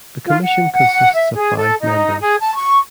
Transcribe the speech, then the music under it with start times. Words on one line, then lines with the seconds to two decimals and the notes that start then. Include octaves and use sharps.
The commission consists of five members.
0.26 F4
0.43 F#5
0.72 F#5
1.14 E5
1.35 G#4
1.57 A4
1.81 D#4
2.21 G#4
2.40 A5
2.56 C#6